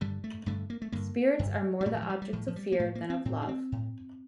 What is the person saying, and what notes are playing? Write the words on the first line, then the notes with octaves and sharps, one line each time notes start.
Spirits are more the objects of fear than of love.
G2 D3 G3
A3
G2 D3 A3
A#3
A3
G2 D3 A#3
G2 D3
G3
A2 A3
D#3
F3
G3
G3
A2 F3
F3
G3
A#3
A2 A3
A#3
C4
A2 C4
D4
C4
A2